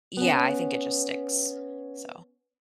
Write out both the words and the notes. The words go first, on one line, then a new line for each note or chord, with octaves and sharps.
Yeah, I think it just sticks, so
B3 C#4